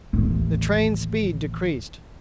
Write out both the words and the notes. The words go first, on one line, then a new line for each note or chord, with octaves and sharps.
The train's speed decreased.
A1 D#2